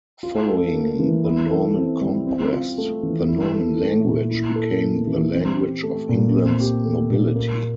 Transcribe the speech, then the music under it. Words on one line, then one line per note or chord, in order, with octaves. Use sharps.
Following the Norman conquest, the Norman language became the language of England's nobility.
F4
A4
A#3
E3
E4
A4
C4
G3
C4
F4
A3
E3
E4
A4
A3
A#2
E4
A4
A#3
E3
C4
G4
A3
A#2
C4
G4
A3
A#2
A#3